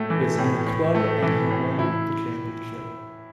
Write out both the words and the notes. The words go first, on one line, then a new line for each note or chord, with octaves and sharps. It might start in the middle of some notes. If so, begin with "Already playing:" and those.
His new club and he won the championship.
Already playing: A2 A3
E3
A2
A2
A3
E3
A2
E4